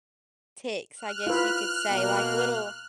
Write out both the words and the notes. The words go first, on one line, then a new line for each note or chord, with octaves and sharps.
ticks, I guess you could say, like, little
F6 F#6
F4 B4
B2 A#3